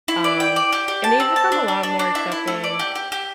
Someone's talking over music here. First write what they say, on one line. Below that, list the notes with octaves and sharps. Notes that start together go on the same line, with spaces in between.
um, and they've become a lot more accepting
E4
D5
G5
D5
G4
G4
A5
C4
A5
D4
D4
D4
D4
E4
E4
A3
D5
G4
G4
G4